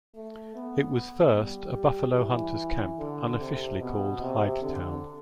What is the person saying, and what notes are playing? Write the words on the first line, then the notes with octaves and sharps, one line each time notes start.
It was first a buffalo hunter's camp unofficially called Hidetown.
A3
B3
G3
E3
D3
C3
B2
C3
D3